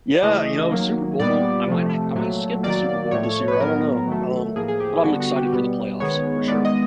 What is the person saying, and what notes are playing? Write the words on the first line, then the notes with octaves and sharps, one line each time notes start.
Yeah. You know, Super Bowl, I might act I might skip the Super Bowl this year. I don't know. Um, but I'm excited for the playoffs for sure.
D5
C#3 E3 A3 D#5
D#3 F#3 A#3
A#2 G3 B3 D5
C3 F3 A3
A#2 F#3 A3
D#3 F#3 A#3 D5
A2 F3 A3 C#5
C#5
B4
A2 F#3 B3 A#4
D#3 F#3 A3
A2 F3 A#3 G#4
G#4
G4
D3 G3 B3 F#4
F#4
G4
B2 G3 B3
D#3 G#3 B3 C#5
D#3 G#3 B3 D5
D#5